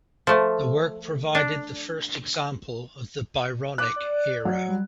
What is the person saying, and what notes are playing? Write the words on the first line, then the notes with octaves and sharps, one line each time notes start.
The work provided the first example of the Byronic hero.
F3 A3
D4
D6 F#6
D5
F#3
G3